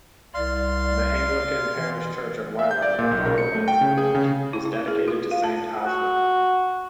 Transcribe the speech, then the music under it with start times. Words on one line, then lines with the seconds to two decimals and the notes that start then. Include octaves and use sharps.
The Anglican Parish Church of Wylam, Northumberland, England is dedicated to Saint Oswin.
0.34 C2 D5 F5 C6
1.76 E3
2.59 E5
2.71 G6
2.82 D5
2.99 A#2
3.11 B1
3.26 A#4
3.38 C#7
3.55 A3
3.68 G5
3.81 C#3
3.98 G#4
4.15 C#3
4.53 E4
4.65 E4
4.88 G#4
5.08 F4
5.31 F5
5.44 A5
5.85 F#4